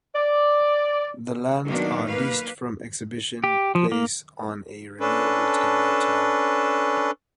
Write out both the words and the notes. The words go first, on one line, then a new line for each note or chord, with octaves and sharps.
The lands are leased from Exhibition Place on a renewable ten-year term.
D5
B2 D#3 F#3 A#3 B3 D4
A#3 B4 F5
G4
F3
A#3
C#4 D4 A4 B4